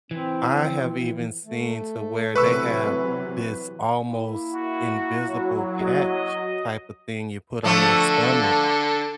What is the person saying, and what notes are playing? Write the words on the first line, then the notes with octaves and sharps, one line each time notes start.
I have even seen to where they have this almost invisible patch type of thing you put on your stomach.
E3 C4
A3
C3 E3 F#3 B4 C#6 E6
A#3 E4
F#4
F#3
F#4 D#5
D3 F3 A3 A4